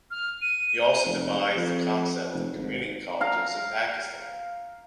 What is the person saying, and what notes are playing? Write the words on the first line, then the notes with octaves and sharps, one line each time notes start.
He also devised the concept of community colleges in Pakistan.
F6
D#7
F1
F2
F1
G#1
F5 A#5